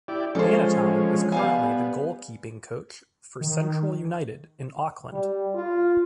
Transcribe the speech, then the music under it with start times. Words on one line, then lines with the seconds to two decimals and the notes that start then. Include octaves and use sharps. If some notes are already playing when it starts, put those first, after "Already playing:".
Bannatyne is currently the goalkeeping coach for Central United in Auckland.
0.08 E4 G4 D5
0.35 F3 G#3 C#4 A4 C5
1.32 G3 B3 F5 G#5
3.41 D#3
5.13 G3
5.55 F4